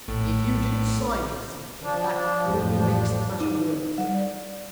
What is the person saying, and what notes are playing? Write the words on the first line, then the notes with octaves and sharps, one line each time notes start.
'If you didn't sign it,' said the King, 'that only makes the matter worse.
A#1 A2
F3 D4
A1 F2 A2
D4
D#4
G3
D5